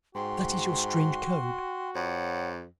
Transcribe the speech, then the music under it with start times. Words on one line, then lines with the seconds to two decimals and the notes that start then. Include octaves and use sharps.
That is your strange code.
0.15 G#2 F#4 G5 C6
1.95 F2 C#5 F#5